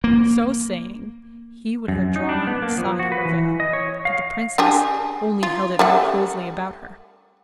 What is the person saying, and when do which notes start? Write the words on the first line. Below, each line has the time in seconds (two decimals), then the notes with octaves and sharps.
So saying he would have drawn aside her veil; but the princess only held it more closely about her.
0.04 A#3
1.88 F#2
2.16 D#4
2.29 D4
2.47 B3
2.62 A#3
2.78 F3
2.99 F#4
3.12 B4
3.25 E3
3.60 D#5
3.73 C#5
4.05 F5
4.58 D4 G4 G#4
5.43 F4
5.79 G3 A3 F#5